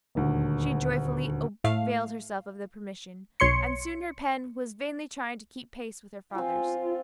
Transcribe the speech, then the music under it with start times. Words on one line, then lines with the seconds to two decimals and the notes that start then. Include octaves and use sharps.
She joyfully availed herself of the permission, and soon her pen was vainly trying to keep pace with her father's.
0.15 D#1 D2
1.64 A2 A3 F5
3.40 B1 C#5 C6 C#7
6.35 C4 F4 G#5